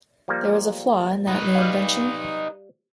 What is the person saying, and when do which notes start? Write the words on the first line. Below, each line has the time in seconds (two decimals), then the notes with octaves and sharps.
There is a flaw in that new invention.
0.28 F3 G3 A#3
1.27 D#4 B4
1.55 G3 F5